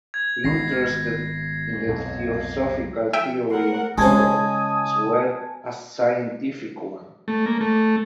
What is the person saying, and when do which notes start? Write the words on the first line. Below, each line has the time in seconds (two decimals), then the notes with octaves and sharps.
He interested in the Theosophical theory of colour as well as scientific one.
0.14 G#6
0.44 G#1 D#3 B3 A#6 C7
1.73 G#2
1.87 B1 F2 G#2
3.13 F3 F4 E5 G5
3.51 A3 B3 A#4 F#5 F6
3.98 C#3 G#3 C#4 G#5 A5 D#6 G#6
7.28 A3
7.46 A#3
7.61 A3